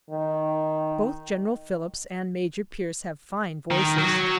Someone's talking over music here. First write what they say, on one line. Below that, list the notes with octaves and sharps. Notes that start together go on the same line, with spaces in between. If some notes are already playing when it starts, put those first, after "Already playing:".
Both General Phillips and Major Pierce have fine voices.
D#3
D#3
F#3